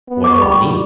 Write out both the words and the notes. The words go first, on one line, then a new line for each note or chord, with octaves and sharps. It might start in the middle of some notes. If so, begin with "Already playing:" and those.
What do you mean?
B3
D6
C#6
G3 B5
C#6